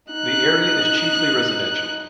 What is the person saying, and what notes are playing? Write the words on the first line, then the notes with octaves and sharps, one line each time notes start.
The area is chiefly residential.
D#4 F#6